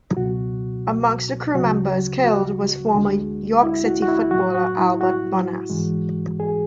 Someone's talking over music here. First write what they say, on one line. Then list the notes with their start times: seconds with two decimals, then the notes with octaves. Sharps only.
Amongst the crew members killed was former York City footballer Albert Bonass.
0.17 C#2 B2 F#3 F#4
1.54 D2 C#3 F#3 F#4
2.24 F#4
2.93 D2 D3 G#3
3.63 E4
3.86 F#4
4.02 F#4
4.08 E4
4.31 A2 F#3 F#4
4.55 F#4
4.78 E4
5.01 F#4
5.70 G#2 E3 G#3
6.40 G#4